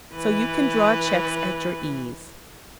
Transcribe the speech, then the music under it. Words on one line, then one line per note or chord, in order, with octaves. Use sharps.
So you can draw cheques at your ease.'
E3 B4